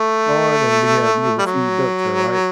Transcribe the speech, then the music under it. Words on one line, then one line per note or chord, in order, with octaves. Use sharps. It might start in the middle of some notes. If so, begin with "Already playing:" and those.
pond, and we had we would feed ducks there, right,
Already playing: A3
G3
F#3